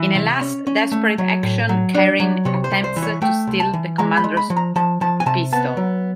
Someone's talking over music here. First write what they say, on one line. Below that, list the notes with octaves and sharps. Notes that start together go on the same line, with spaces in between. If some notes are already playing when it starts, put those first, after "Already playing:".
In a last desperate action Karin attempts to steal the commander's pistol.
Already playing: E3
C3
C#4
C#4
A3
F#3
A2
F#3
D4
F#3
C3 C#5
C5
C2
C5
E3
C#5
A3 G5
C2
A5
E3
G#3 A#5
B5
G#3
B5
F3
A#5
F3 A5
F3 A5
G#5
C3 A5
B3 A5
F#3